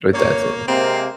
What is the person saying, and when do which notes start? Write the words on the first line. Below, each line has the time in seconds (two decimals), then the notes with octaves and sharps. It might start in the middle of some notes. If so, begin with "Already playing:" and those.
with that thing.
0.14 A#3 C#5
0.68 C3 G#3 A#3 C4